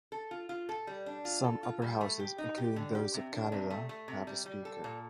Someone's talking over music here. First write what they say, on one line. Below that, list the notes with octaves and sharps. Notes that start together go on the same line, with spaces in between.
Some upper houses, including those of Canada, have a speaker.
A4
F4
F4
A4
G3
D4
F4
A4
F4
G3
A3
G4
D#4
G4
D3
G4
C3
D4
C3
A3
A3
C3
G3
G3
A4
A#2